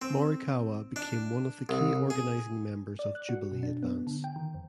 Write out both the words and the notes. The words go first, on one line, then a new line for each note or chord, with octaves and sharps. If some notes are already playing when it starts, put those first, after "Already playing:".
Morikawa became one of the key organizing members of Jubilee Advance.
C4
D4
C2
G#4
D5
F#6
F#4
B2
D4
B3
D3
G5
D#3
F2